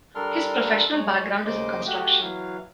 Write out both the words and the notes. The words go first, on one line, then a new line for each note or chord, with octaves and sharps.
His professional background is in construction.
G3 D4 A4 A#4 C6 F6
G#3 C#5
D#2 C#3 C5 D#5 D6
A3 F#4 G4
E3 F#3 F5